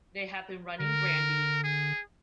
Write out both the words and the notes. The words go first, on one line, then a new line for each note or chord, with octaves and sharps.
They had been running brandy.
D3 A#4
G#4